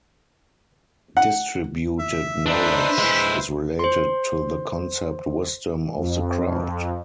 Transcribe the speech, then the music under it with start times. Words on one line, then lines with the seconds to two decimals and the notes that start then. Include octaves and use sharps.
Distributed knowledge is related to the concept Wisdom of the crowd.
1.17 F#5
1.99 E5
2.46 D4 D#4 B4 C5 E5
2.99 G#3 E4
3.79 C5 C6
5.97 F2